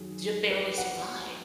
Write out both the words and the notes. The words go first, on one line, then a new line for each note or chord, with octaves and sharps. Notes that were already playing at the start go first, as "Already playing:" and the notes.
you barely survive,
Already playing: F#2 D#3 F#3 G#4
B4
F#5